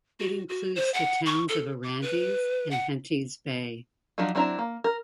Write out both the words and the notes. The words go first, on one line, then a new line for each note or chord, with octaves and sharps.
It includes the towns of Arandis and Henties Bay.
F#4
F#4
C5
F#5
C#6
A4
D6
B4
F#5
F3 F#3 D4 D#4 F4
F#3 C4 D4 E4 A#5
A#3
A#4